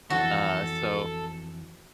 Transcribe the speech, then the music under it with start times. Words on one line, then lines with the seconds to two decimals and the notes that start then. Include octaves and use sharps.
Uh, so
0.10 F2 E3 F#4 A4